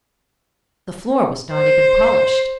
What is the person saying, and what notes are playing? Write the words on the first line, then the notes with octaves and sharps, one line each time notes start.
The floor was not even polished.
C5